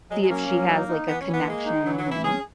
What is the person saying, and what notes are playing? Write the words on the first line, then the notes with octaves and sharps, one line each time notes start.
See if she has, like, a connection and
F#3 G#3
G#3
A#3 C#4
F#3
D#4
D#4
E3 B3
C#4
E3
B3
G#3 A#3
D#4
E3 F#3
F#3
E3
E4
C#4 G#4